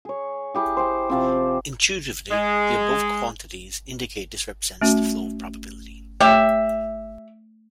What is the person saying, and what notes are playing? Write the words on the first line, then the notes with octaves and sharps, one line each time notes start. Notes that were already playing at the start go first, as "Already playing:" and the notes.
Intuitively, the above quantities indicate this represents the flow of probability.
G#4 C#5
E4 G4 G#4
C5 G5
C3 F3 C4
G#3
A3 C#4 F#4
A3 G4 C#5 E5